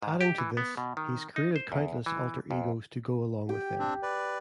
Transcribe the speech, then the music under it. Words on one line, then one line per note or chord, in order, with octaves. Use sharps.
Adding to this, he's created countless alter egos to go along with them.
G#2
G4
E3
B3
B2
D#3
D#4
C5
E2
E3
F2
G4 G5
C4 D4
B4 D5